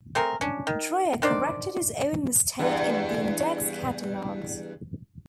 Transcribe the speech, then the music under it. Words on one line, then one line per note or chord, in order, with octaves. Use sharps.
Dreyer corrected his own mistake in the Index Catalogues.
A3 C4 G#4 A#4
C#4 D4
D#3
D#3 D4 C5 D5
E2 G2